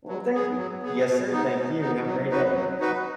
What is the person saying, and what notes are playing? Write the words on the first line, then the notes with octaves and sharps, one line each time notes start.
Well, thank you. Yes, sir. Thank you. Have a great day.
F#3
B3 G#4
F#3
B3 G#4
B2
B3 D#4
B2
B3 D#4
F#3
D#4 F#4 B4
F#3
D#4 F#4 B4